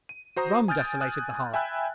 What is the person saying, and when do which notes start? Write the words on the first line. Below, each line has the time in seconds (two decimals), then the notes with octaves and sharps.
Rum desolated the hearth.
0.09 D#7
0.36 F#4 C5 A#5 D#6
0.68 G#5 D#6 F6 G6 A6 D7
1.01 G#5 D#6 F#6
1.54 E5 G5 G#5 B5 E6 F#6